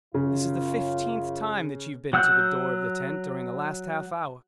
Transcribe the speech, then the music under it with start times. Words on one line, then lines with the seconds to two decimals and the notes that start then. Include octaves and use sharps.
This is the fifteenth time that you have been to the door of the tent during the last half hour.
0.14 F#2 C#3 F4
2.13 F#3 F#5 E6 F#6 G6